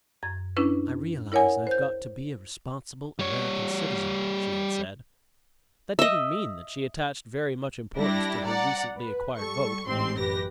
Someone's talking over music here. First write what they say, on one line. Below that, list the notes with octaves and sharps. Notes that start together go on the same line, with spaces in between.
"I realize I've got to be a responsible American citizen," she had said. That didn't mean that she attached very much importance to her recently acquired vote.
F#2 G#6
C#4 D4 E4 B4
E4 A#4 C#5 F#5 G#5
C5 G6
G3 C#5
D#5 E5
G3 D4 E4 G4 A#6
D5 F#5 A#5
B4
G3 A4 C#6
A1 G#2 C4 G4 C6
F#2 G4 B4 A#6